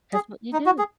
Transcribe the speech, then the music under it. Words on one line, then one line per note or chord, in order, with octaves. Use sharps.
That's what you do.
G#4
D#4
F#4
G#4